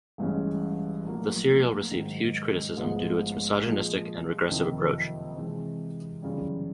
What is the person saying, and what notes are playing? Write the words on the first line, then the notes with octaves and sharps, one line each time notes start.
The serial received huge criticism due to its misogynistic and regressive approach.
A1 G2 E3 G#3 C#4
A#1 A2 F#3 A#3
G#2 D#3 F#3
A1 G#2 F3 G#3 B3
A#2 F3 G#3
F#1 F2 C3 D#3
C3 E3 G#3 C4
G1 F#2 C#3 E3 G3